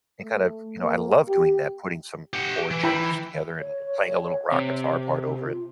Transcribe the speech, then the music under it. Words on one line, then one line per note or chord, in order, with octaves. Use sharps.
and kind of" you know, I love doing that, putting some chord changes together and and playing a little rock guitar part over it,
A3
A#3
G4
G4 F#5
E3
E3 E4 G5 B5
C#5
C3
F4